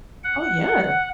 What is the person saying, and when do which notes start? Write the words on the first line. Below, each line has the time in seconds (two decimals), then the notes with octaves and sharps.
Oh, yeah.
0.24 F#5